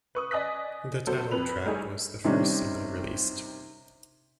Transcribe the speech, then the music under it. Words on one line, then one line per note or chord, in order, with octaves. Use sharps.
The title track was the first single released.
B4 C#6 D#6
D5 D#5 G#5 D#6 F#6 B6
F#3 B3 A4 C5
F2 B4 B5 F7
G3 A3 D#4 G#4 C#5
C3 D#3 G3 C#4 D4